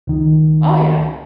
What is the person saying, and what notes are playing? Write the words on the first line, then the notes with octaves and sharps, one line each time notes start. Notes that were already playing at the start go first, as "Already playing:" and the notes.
Oh yeah,
C#2 D#3